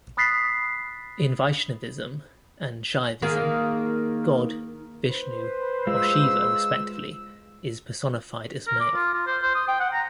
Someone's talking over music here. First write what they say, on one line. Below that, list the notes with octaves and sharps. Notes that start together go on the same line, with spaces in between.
In Vaishnavism and Shaivism, God, Vishnu or Shiva respectively, is personified as male.
B5 D#6 F#6 A6 B6 C7
D#3 A#3 G#4
B4 C5
G#3 F4 E6
A#4
D6
F4
F4
C5
C5
D#6
G5
F#5
A#5